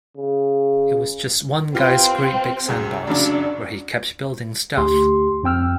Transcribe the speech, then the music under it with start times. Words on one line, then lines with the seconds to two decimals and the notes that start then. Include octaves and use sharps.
It was just one guy's great big sandbox, where he kept building stuff.
0.17 C#3
1.75 C4 F4 G4 B4
2.68 C2 F#2 G#4
3.07 F#2 C#3 F#3 D4
4.77 D2 G4 C6
5.43 F2 C4 G5 E6 F6